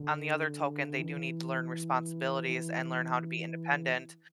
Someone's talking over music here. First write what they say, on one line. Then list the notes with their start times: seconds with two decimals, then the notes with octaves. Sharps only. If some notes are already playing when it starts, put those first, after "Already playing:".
on the other token, they do need to learn responsibilities and learn how to be independent,
Already playing: D3
0.99 E3
2.47 E3